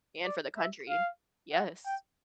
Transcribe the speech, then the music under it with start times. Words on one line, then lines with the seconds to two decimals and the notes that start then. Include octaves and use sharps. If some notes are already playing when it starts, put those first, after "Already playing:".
and for the country, yes.
0.25 D5
0.58 E5
0.90 F5
1.53 F#5
1.86 G5